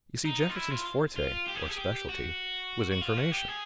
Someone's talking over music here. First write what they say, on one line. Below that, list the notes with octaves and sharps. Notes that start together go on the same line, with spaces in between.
You see, Jefferson's forte, or specialty, was information.
D#4
F4
E4
F4
F4
G4
G#4
G4
G#4
G4
F#4
F#4
F4
F#4
G4
G#4